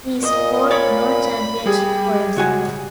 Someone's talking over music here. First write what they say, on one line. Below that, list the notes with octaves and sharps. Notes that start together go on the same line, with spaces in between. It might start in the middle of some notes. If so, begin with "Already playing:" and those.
He scored no championship points.
A#2 D#5
C#5 D5 B5
G3 G4 G#4
C#2 F#4 G#5